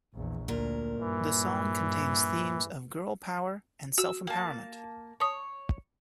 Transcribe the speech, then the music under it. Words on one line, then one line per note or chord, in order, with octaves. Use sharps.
The song contains themes of girl power and self empowerment.
A#1 E2
D2 A#2 A#4
G2 E3
F#4 E6
A#3 A5
C#5 A5 D#6